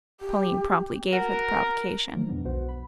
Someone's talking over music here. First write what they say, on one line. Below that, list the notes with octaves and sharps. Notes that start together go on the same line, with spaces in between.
Pauline promptly gave her the provocation.
G4
F#4 A#4
D3 D#3 F3 F#3 G#3
F2 B2 B3 D4
B1 B2 B3 F#4 C5 F#5
B5